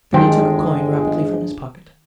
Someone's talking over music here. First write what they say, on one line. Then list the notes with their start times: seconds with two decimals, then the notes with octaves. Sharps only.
Then he took a coin rapidly from his pocket.
0.14 G1 D#3 G#3 D4 C5 G5